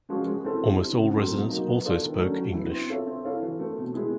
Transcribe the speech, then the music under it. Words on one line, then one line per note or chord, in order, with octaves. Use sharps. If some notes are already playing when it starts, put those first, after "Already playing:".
Almost all residents also spoke English.
F3 G#3 C#4 F#4
G#3
C4 E4 A4
G3
C4 E4
C#3
F#3 A3 C4
B2
F#3 A#3 D#4
B3
D4 F4 A4 D5
D#3
F#3 A3 C#4
F#3
B3 E4
C4
F4 A4 C#5 E5
C4
E4 A4 C#5 F5
E3
A3 C4
B2
G#3 C4 E4 G#4